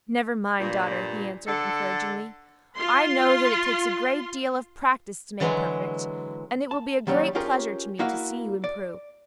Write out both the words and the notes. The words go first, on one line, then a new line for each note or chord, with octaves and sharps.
"Never mind, daughter," he answered, encouragingly; "I know that it takes a great deal of practice to make perfect, and it will be a great pleasure to me to see you improve."
G2 A#2
D3 A4
F4 C6
D3 E3 F#3 G#3
A5
D#2 F#3 G3 C#4 A#5
C#4 F4 G4 G#4 A#4 C#5
A#3 E4 F#4 D#5 F5
D5